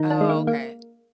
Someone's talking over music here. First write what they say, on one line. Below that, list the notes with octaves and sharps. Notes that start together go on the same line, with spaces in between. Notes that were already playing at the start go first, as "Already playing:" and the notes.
Oh, okay.
Already playing: D#3 D#4
D4
G#3
A#3
A#3